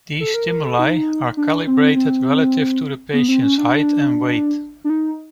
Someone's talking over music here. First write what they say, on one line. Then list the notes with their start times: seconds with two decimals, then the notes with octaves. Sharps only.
These stimuli are calibrated relative to the patient's height and weight.
0.20 A4
0.34 A#4
0.49 A#4
0.64 A4
0.79 D#4
1.37 D4
1.67 C4
1.96 C4
3.13 B3
3.28 C4
3.43 C#4
3.58 D4
4.84 D4
4.90 D#4